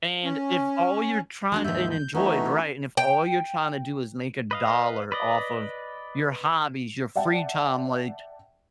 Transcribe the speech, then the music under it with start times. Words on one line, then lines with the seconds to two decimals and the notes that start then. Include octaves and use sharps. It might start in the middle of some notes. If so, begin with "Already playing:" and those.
And if all you're trying and enjoyed, right, and if all you're trying to do is make a dollar off of your hobbies, your free time like,
0.25 C#4
1.52 F#3 A#3 D4 A5
1.64 D#2 G#2 F3 E5 G6
1.91 G6
2.15 E3 A3 C#4 D#4 F#4
2.97 G5
4.51 B4 D#5 F5
5.12 B4 D5 D#5
7.16 D5 E5 F#5 G5 A5